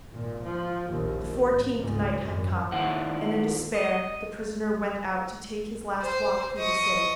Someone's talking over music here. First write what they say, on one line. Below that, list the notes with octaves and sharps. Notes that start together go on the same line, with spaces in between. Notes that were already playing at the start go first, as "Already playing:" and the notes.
The fourteenth night had come, and in despair the prisoner went out to take his last walk through the city.
G#1 A#2
F3
A#1 D#2
G#1
C#2 G#2
G#1 F#2
A#2 D#3 E4 C5 F#5
D#5
C5
D#5 C#6